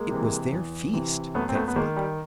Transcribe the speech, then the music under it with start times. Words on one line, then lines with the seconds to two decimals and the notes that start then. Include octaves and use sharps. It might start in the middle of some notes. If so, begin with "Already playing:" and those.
It was their feast, they thought.
Already playing: G#3 A#3
0.11 C3 E3
0.53 E2
0.93 C3 E3
1.35 F#2 A3 B3
1.49 C4
1.55 A3 B3
1.68 B3
1.76 D#3 G#3 A#3
1.96 G3